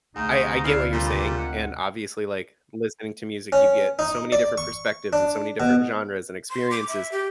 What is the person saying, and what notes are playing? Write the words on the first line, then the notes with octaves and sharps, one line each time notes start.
I I get what you're saying, and obviously, like, listening to music, you get so many different perspectives and so many different genres and experiences,
D2 G#2 C3 A3 D#4
E3 D5 F5
A#2 C#3 G3
G#3 C4 F#5
C#4
D#4
D5
C#6
D4
B2
C6
D6
E5
G4